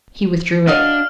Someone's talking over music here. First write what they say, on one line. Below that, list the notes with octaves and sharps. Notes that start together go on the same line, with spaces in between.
He withdrew it.
D4 F#4 D#5 F5 F6